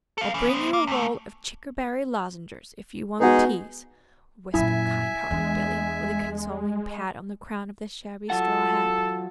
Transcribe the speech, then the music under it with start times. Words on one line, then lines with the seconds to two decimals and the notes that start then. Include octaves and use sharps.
"I'll bring you a roll of chickerberry lozengers, if you won't tease," whispered kind-hearted Billy, with a consoling pat on the crown of the shabby straw hat.
0.18 A4 F5
0.34 E3 C#4
0.49 B3 C5
0.73 A#3
0.87 E2 A3
3.20 G#3 B3 D#4 F#4 G#4
4.54 F#2 A#2 E4 E5 G#5
5.31 E2 G#3 D4
8.30 F#3 F4 A4 F#5 A5